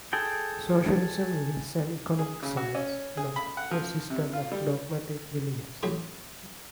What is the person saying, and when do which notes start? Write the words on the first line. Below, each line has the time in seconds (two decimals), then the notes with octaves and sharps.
Socialism is an economic science, not a system of dogmatic beliefs.
0.13 G#4 A4 G5
2.19 G#4
2.43 C#3
2.57 F#4
2.75 C#4
3.17 G#4
3.36 B5
3.57 F#5
3.71 F3
4.10 C3
4.33 F4
4.52 G3
5.83 A1 F#3 G4 G#4 C6